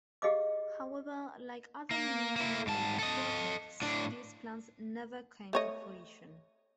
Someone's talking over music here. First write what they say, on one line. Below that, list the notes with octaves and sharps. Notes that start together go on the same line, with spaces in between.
However, like other Millennium-related projects, these plans never came to fruition.
G4 G#4 D#5 F5 D6
A#3
A#3 E4
G#2 A5
A4 D#5
A2 D4
A3 C#5 D#5